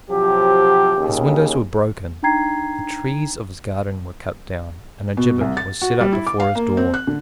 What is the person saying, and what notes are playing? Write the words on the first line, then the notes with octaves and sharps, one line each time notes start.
His windows were broken; the trees of his garden were cut down; and a gibbet was set up before his door.
C3 F3 F#3 G4
D#2 C#3
D4 D#4 G5 A#5 G#6 C7
B2
C2
A6
F#4
G3
E4
D6
F5
A#3
C4
F#6
D3